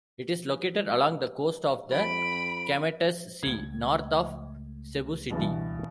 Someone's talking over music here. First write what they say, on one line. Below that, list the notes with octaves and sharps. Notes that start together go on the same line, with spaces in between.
It is located along the coast of the Camotes Sea, north of Cebu City.
F2 B5 D7
C#2 A3 G#6
G2 B2 E3